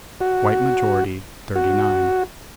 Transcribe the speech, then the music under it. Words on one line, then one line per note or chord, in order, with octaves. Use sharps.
White majority, thirty-nine.
F#4
F#4